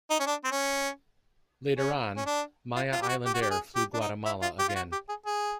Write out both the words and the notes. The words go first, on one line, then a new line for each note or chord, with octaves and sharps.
Later on, Maya Island Air flew Guatemala again.
D#4
C#4
D4
C4
C#4
C#4
C#4
D4
F4
F4
G4
F#4
G4
F#4
G4
G#4
G4
D4
D#4
E4
F4
G4
F4
F#4
G4
G#4
G#4